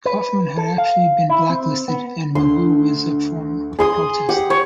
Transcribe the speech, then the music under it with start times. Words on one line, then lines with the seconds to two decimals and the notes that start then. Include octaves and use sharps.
Kaufman had actually been blacklisted, and Magoo was a form of protest.
0.06 B4
0.57 A4
0.78 F5
1.30 E4
1.50 C4
1.88 B3
2.35 D2 C6
3.79 G#4 G#5 C6 D#6
4.29 G4 F#5
4.50 C#5